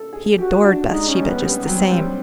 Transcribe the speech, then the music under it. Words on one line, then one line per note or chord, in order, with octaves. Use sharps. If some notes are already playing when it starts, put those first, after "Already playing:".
He adored Bathsheba just the same.
Already playing: A4
G#4
F#4 G4
D4
G#3 D#4
C#4
G3
B3
G3
B3
F#3 C4
G3